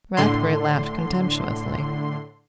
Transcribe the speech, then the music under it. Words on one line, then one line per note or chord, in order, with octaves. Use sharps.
Rathbury laughed contemptuously.
A2 D3 C6